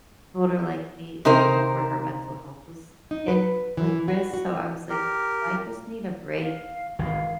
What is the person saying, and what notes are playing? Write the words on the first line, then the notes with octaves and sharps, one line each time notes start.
told her, like, "Hey," and, like, where her mental health was in, like, risk, so I was like, "You might just need a break."
C3 D#4 A#4 C5
D#4
B4
E3
F#4
F#4
G4 A#4
F5
G#1 D#3 E3 F5